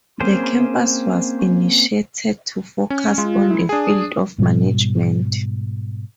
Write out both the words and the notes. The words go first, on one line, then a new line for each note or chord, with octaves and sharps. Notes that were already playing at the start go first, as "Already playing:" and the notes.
The campus was initiated to focus on the field of management.
A#3 C4 C#4 G#4 C5
C#4
G#3 F4
E4
D4 G#4 D#6
G#2 B2 G3